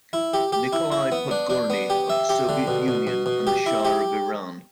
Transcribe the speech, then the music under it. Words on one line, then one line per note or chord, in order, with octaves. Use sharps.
Nikolai Podgorny of the Soviet Union and the Shah of Iran.
E4
G4
G4
E4
E4
B3
D4
D4
B3
G4
E5
G4
D3
B2
B2
B2
B2
G4
E4
G4